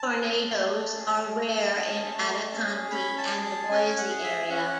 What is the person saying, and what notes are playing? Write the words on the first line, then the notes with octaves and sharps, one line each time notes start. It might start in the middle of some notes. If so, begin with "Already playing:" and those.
Tornadoes are rare in Ada County and the Boise area.
Already playing: A5
C#4 G#4
A3
C#4 G#4
A3
C#4 G#4
A3
C#4 G#4
C#4 B5
A5
G#4
A5
C#4 G#5
F#5
G#4
E5
C#4 F#5